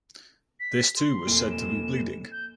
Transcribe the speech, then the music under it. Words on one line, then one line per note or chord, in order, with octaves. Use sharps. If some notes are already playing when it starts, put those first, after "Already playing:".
This too was said to be bleeding.
B6
C6
F1 A#2 D7
E7
G6